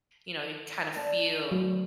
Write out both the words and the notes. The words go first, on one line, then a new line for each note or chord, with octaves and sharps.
you know you kind of feel
D5 A5
D2 F#3